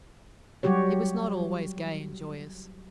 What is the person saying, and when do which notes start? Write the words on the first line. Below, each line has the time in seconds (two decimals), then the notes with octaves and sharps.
He was not always gay and joyous.
0.63 F#3 G3 F#4 G4 C#5